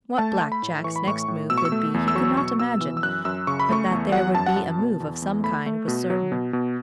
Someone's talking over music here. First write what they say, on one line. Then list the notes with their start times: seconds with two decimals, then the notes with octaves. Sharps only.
What Black Jack's next move would be he could not imagine, but that there would be a move of some kind was certain.
0.18 A3 A5
0.40 A3
0.52 B5
0.63 A2
0.84 E3 C#6
0.96 B5
1.06 A2 C#6
1.28 A2
1.50 B2 E6
1.58 C#6
1.65 E6
1.72 A3
1.94 E2
2.08 E6
2.15 F#3 C#6
2.37 B2 C#6
2.60 B2 E6
2.81 E3 E6
2.97 E6
3.03 F#2 F#6
3.25 F#2 E6
3.47 C#3 C#6
3.60 B5
3.69 A3 C#6
3.91 E2
4.12 F#3 F#5
4.35 F#2 A5
4.46 F#5
4.56 F#2 A5
4.78 B2
5.00 E2
5.22 E2
5.44 A3 B5
5.66 A3
5.88 B2
6.10 F#3
6.32 B2
6.53 B2